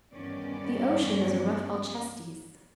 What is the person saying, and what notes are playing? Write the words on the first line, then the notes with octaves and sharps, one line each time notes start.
The ocean is a rough Alcestis.
E2 G2 D#3 B3 C#4 D5